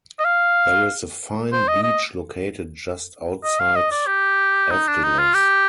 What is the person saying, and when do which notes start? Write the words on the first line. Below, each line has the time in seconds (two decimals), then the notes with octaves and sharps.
There is a fine beach located just outside Evdilos.
0.19 D#5
0.25 F5
1.53 C5
1.68 D#5
1.83 D#5
3.44 D#5
3.60 F5
3.76 D#5
3.91 D5
4.07 G4
4.71 D#4
4.88 D4
5.04 D#4
5.19 F4
5.34 G4